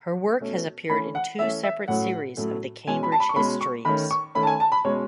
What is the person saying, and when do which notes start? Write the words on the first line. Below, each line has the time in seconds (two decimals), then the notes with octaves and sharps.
Her work has appeared in two separate series of the Cambridge histories.
0.40 B2 A3 C#4
0.89 E3 A3 C#4 B5
1.15 F#5
1.39 E3 A3 C#4 E5
1.63 E5
1.88 A2 F#3 A3 C#4 F#5
2.37 A2 F#3 A3 C#4
2.87 B2 G#3 C#4 G#5
3.03 B5
3.12 A5
3.20 B5
3.29 C#6
3.36 B2 G#3 C#4 B5
3.61 C#6
3.85 D#3 A3 C#4 B5
4.11 C#6
4.35 D#3 A3 C#4 B5
4.43 A5
4.47 G#5
4.60 A5
4.72 B5
4.84 B2 G#3 C#4 C#5